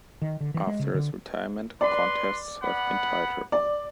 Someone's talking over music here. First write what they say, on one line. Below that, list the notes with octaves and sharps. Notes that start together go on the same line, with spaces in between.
After his retirement, contests have been tighter.
D#3
D3
E3
G#3
C#3
D3
B4 D5 C6
B3 F#5 B5
D5